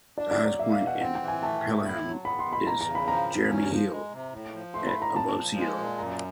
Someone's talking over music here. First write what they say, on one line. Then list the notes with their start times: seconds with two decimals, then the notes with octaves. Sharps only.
The highest point in Pelham is Jeremy Hill, at above sea level.
0.18 D4 D5
0.31 D5
0.38 F#3
0.46 D5
0.59 A#3 E5
0.73 F5
0.80 B2
0.87 F#5
1.01 C4 F#5
1.15 G5
1.22 E3
1.28 G#5
1.42 A3 A5
1.63 A2
1.83 E4
2.05 F#3
2.25 B3 B5
2.39 C6
2.45 B2
2.53 B5
2.67 E2 A#5
2.81 A#5
2.88 C#3
2.95 B5
3.08 F3 A#5
3.29 E2
3.50 C#4
3.70 F3
3.91 G#3
4.12 C3
4.32 A2
4.54 F3
4.74 A3 C6
4.87 B5
4.95 A2
5.02 A#5
5.16 A#2 A5
5.37 F3
5.57 G#3
5.78 A#2
5.98 F#2 A#5